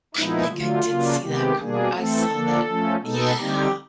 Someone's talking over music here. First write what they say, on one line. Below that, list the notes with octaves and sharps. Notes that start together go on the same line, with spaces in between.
I think I did see that commer I saw that, yeah.
A#2 F3 G#3 B3 D#4 E4
D3 F#3 A3 F4
C#3 F#3 A#3 D4
C3 D#3 G#3 B3 G4
B2 G3 A#3 D4 G#4
E3 A3 C4 A4
D3 F3 A#3 D4
F3 A3 C#4
B2 G#3 B3 D#4 A4
D3 G3 C4 D#4 G4